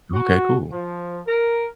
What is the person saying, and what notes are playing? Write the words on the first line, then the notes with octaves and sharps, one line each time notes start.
Okay, cool.
F#4
F3
A#4